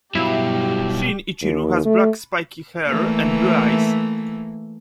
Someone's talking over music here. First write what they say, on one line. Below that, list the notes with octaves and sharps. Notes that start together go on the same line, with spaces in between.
Shin-ichirou has black spiky hair and blue eyes.
G2 B2 F#3 E4 G4 F5
D#2
A3
E3 A3 A#3